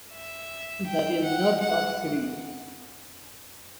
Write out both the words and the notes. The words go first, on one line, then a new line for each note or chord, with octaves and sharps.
The anthers are free.
E5
G5
F#5
F#5